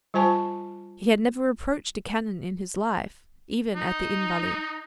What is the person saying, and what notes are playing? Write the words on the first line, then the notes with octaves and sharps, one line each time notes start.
He had never approached a cannon in his life, even at the Invalides.
G3 F4 C5 G#5 A5 C#6
D#4